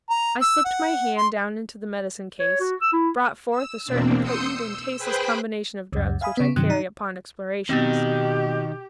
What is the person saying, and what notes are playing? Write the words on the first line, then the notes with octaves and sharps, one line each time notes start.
I slipped my hand down into the medicine-case, brought forth a certain potent and tasteless combination of drugs which I carry upon explorations.
A#5
E6
F#5
C6
C#5
F#4
E6
E4
E6
E2 B2 A#3 C4 D4
C6 D#6 E6 G6 C#7
E6
G#4 B4 C5 G5 B5 F#6
C#2 F#2
E5 F5 G#5 B5 D#6
C#3 B3
G2 C3 D#3 F#3 F#6
D#4 A#5
B2 D#3 B3 C4 G4